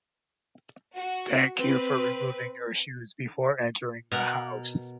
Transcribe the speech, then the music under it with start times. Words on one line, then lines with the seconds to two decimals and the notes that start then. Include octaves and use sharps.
Thank you for removing your shoes before entering the house.
0.95 F#4
1.58 C4 B4
4.12 B2 A#4 F#5